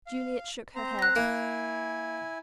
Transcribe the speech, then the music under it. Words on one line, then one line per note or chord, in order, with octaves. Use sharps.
Juliet shook her head.
F5
C4 C5 A#5
F#6 A#6
A#3 E4 G#5